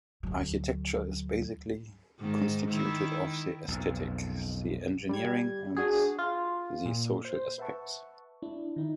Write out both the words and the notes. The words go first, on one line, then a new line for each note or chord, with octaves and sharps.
Architecture is basically constituted of the aesthetic, the engineering and the social aspects.
D2 F#3
G#2 D#3
D#3 E4
B1 F2
G3 G#6
D4 F#4 G#4
F4
A#2
C5
B4 E5 F#5 A5 C#6
D4 E4
D#3 D#4 E4